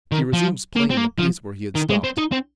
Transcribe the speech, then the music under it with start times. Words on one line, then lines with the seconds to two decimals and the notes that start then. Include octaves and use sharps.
He resumes playing the piece where he has stopped.
0.12 D#3
0.33 F3
0.76 A#3
0.90 C4
0.97 A#3
1.18 F3
1.75 D#3
1.90 G#3
2.04 C4
2.18 D#4
2.32 C4